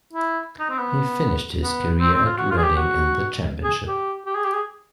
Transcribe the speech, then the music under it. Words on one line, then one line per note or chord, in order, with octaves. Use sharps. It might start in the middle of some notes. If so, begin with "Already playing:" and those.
He finished his career at Reading in the Championship.
E4
D#4
C4
B3
B3
C4
C4
F4
F#4
F4
G#4
G4
F#4
G#4
G4
G4
G#4
G4
G#4